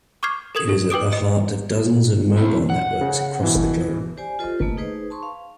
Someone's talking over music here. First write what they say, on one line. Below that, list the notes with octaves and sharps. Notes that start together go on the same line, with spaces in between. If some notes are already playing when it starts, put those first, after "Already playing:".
It is at the heart of dozens of mobile networks across the globe.
C#6 D6 F6 G#6 C7
A4 A#4 D#6 G#6 F#7
G4
B4 G5 D6 D#6 D7
D#5
C4 E4
F#5
C#3
B2 E3
G4 C5 D5 G#5
F4 G4 A4 C5 D#5
A3 A#3 B4 D#5
D#4 G#4 B4 C5
A5 C6 C#6
F5